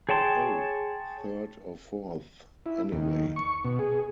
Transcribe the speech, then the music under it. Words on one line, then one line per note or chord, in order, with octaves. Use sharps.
Oh, third or fourth, anyway.
G#4 C#5 G5 A5 C6
E4
D#2
C#6
B2
G#4